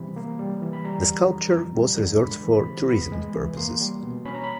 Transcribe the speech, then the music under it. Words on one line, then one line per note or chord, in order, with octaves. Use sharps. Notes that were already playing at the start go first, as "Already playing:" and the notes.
The sculpture was reserved for tourism purposes.
Already playing: C3 E3 G3 B5
A#3
G3
E3
B5
G3 A#5
D3
F2
F2
G3
D3
G#3 B5
E3
B5
C3
B3 B5
G#3
E3
A#3 C6
G3
B2
C#4 B5
A#5
B5